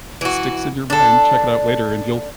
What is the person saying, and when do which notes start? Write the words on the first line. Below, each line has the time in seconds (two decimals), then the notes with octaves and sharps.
sticks in your mind, check it out later and you'll
0.21 E3 F#4
0.90 D4 A4